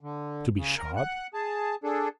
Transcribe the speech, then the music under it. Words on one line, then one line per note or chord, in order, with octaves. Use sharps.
To be shot?
D3
C#3
A#4
F#5 F#6
G#4 A5
D4 G#4 A4